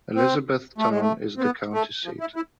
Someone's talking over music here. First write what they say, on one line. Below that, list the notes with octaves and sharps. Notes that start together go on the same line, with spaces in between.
Elizabethtown is the county seat.
C4
A3
G#3
A3
C4
B3
A3
F3
E4
E4